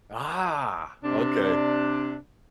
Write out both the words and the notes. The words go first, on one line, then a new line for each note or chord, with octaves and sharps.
Ah, Okay.
C3 D4